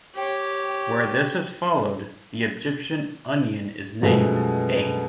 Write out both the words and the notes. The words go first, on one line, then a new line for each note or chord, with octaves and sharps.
Where this is followed, the Egyptian onion is named A.
G4 C#5
F#2 B2 F3 G#3 A3